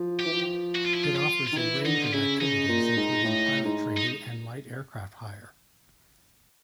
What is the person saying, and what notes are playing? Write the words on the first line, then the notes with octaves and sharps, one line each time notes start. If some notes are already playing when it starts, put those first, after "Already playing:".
It offers a range of activities including pilot training and light aircraft hire.
Already playing: F3
G4
E3
F3
F#4
F4
E4
F4
F4
F4
D#3
E3 E4
D3 D#4
F4
C#3 E4
C#3 D#4
A#2
G#2
A2
G#2
D#4